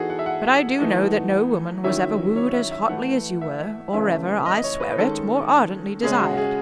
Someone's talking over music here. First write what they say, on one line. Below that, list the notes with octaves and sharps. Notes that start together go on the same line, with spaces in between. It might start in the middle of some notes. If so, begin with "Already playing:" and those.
But I do know that no woman was ever wooed as hotly as you were--or ever--I swear it--more ardently desired.
Already playing: E3 B3 D#4 F#4 G#4 A4
F#5
E5
F#5
E3 A3 D#4
D#3 F#3 C#4 E4 E5
C#5
E5
E5
E3 A3 E4 F#5
E5
C#3 E3 A3 C#4 E4 E5
D#5
C#5
B4
D#3 G#3 C#4 A4
C#3 G#3 C#4 G#4
F#4
G#4